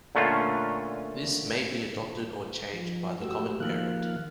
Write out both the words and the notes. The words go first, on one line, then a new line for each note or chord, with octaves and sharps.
This may be adopted or changed by the common parent.
A#2 D3 A3 C#4 F4
F3
A3 F#4 G4 E6
D#3 F3 A#3 F5 F#6